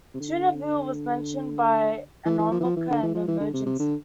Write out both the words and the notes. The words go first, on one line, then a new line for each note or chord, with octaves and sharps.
Toonerville was mentioned by an onlooker in the Emergency!
C3
D3
E3
E3
F3
E3
F3
E3
D3
E3
F3
E3
D3
C3
C3
D3